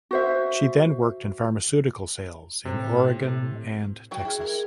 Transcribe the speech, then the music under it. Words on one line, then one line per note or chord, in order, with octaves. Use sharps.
She then worked in pharmaceutical sales in Oregon and Texas.
F#4 C5 E5
A2 C3
F#3 F#4 G5
E4 G#4
E4 A#4